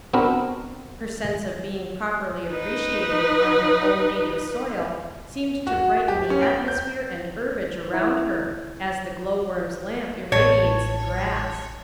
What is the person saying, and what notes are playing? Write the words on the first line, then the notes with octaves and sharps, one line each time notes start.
Her sense of being properly appreciated on her own native soil seemed to brighten the atmosphere and herbage around her, as the glowworm's lamp irradiates the grass.
B3 C4 D4 F#4 A#4 B4
D#4 B4
F#4
G4
C#4
G5
G6
E4
A1 C#5 A5